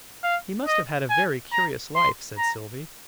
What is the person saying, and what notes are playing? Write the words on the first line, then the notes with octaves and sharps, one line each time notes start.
"He must have had a very curious life," said Sylvie.
F5
D#5
G#5
A#5
C6
A#5